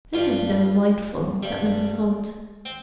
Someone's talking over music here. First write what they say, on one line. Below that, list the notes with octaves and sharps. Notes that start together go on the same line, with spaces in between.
"This is delightful," said Mrs. Hunt.
G2 G3 F4
G2 G3
C4